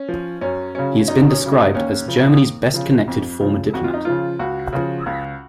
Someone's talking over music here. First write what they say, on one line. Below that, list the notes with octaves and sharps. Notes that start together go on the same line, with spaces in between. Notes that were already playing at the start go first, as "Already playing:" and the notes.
He has been described as "Germany's best-connected former diplomat".
Already playing: C#4
F3
F#2 C#4
C#3 F#3 C#4
F#2 D#4
C#4
C#3 F#3
D#4
D#2 C#4
C#3 F3
D#2
C#3 F3
F2
C#3 F3
F2 F#4
F4
D#4
C#3 F3 F4
C#2 F#4
C#3 F3
C#2